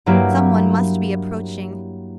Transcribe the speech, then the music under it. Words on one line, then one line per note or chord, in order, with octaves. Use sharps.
Some one must be approaching.
G2 F#3 A#3 E4 G4